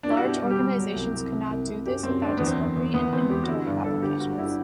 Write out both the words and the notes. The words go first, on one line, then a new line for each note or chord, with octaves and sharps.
Large organisations could not do this without discovery and inventory applications.
D4
E4
F#4
B2 G4
G3
G4
G3
F#3
C2
C2
C3
C2
C3
F#2 G4
F#2 C4
F#3 D4
C4
E2 B3
C4
E2
E2
E2 B3
E2 C4
E2 G4
F#4
D3 E4
G2 D4
G1 A4
D3 G4
G3 F#4
D4
D3 E4